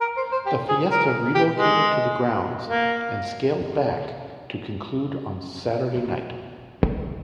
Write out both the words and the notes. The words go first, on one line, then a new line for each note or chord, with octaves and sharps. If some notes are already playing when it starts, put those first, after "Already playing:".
The Fiesta relocated to the grounds and scaled back to conclude on Saturday night.
A#4
C5
C5
G4
G#4
A#4
G4
G#3
A#3